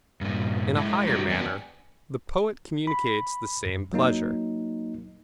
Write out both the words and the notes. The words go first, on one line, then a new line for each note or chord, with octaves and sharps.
In a higher manner, the poet communicates the same pleasure.
G2 A#2
G#3 E4
G3 C4 F#4 G4 A#5
E2 B3 D4 G5 G#5
B5
F#2
F#3 A#3 D#4